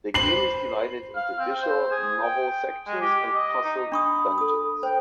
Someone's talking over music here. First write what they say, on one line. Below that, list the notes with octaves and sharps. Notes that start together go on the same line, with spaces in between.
The game is divided into visual novel sections and puzzle dungeons.
B4 C5 C7 F#7
F5
C4
C5
G#4
G5
G#3
G4
D#5
D#4
D4 B5 C#6 D#6
A4 D#6
C5 G5